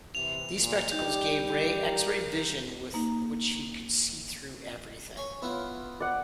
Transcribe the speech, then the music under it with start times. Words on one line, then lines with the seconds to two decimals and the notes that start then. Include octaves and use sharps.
These spectacles gave Ray x-ray vision with which he could see through everything.
0.15 C3 E3 F7
0.58 A#2
0.92 G3 D#4 G4 G6
1.82 A#4
2.94 A#3 D#4
5.17 C#5 G#5
5.42 B3 E4 F4
6.00 D5 F#5